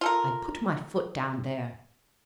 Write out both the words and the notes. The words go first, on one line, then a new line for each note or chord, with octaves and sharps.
I put my foot down there.
F4 A4 A#4